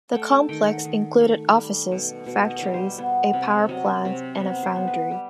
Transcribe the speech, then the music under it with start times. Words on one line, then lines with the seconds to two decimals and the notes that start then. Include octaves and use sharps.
The complex included offices, factories, a power plant and a foundry.
0.13 A3 G5
0.30 A5
0.49 D#3 G5
0.66 F#5
0.84 D#3
1.21 A3
1.55 G3
1.92 B2
2.26 B2
2.50 D#5
2.63 G3
2.74 C5
2.98 B3
3.33 C3
3.69 F#3 D#5
4.05 C3
4.40 B3
4.63 C5
4.76 B3
4.88 B4
5.11 G3